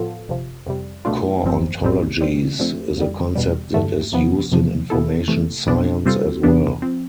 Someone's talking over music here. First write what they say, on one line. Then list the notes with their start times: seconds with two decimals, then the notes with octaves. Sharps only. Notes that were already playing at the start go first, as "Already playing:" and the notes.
Core ontologies is a concept that is used in information science as well.
Already playing: A2 F3 B3 F4 A4
0.28 G1 F2 C3 F3
0.66 F2 C3 G3
1.05 C2 B2 A3 D4 F4
1.44 G1 G2 F3 C4
1.82 B1 A2 G3 C4
2.21 B2 G3 C4
2.59 F2 D3 F3 A3 C4
2.97 F2 D3 G3
3.35 E2 B2 G3
3.74 G2 D3 A3
4.12 E2 C3 F3 B3
4.51 F2 C3 F3
4.90 E2 B2 B3 E4 A4
5.28 C3 E3 A3
5.67 B1 B2 B3 D4
6.05 C3 G3 C4 F4 A4
6.43 E2 C3 E3 B3 D4
6.82 F3 C4